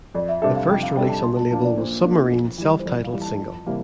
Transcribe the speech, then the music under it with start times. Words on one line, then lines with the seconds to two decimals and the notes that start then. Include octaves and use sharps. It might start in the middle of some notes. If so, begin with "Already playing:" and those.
The first release on the label was Submarine's self-titled single.
0.15 F2 D5
0.29 E5
0.42 C3 G3 D4 A4 E5
0.56 F5
0.69 F2 G5
0.83 F5
0.96 C3 G3 D4 A4 G5
1.09 A5
1.23 A#2 C6
1.37 A5
1.50 F3 A#3 D4 A5
1.64 D5
1.77 A#2 C5
2.04 F3 A#3 D4
2.32 F2
2.58 E3 G3
2.79 C5
2.85 F2 D5
3.04 F5
3.13 E3 G3
3.22 A5
3.40 F2
3.66 C3 E3 G3 A#3